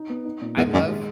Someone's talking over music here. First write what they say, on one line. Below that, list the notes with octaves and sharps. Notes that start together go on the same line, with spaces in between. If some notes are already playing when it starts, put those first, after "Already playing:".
I love
Already playing: D#4
B3
D#4
A#2
E2 G#2
F#2 D#3
G#3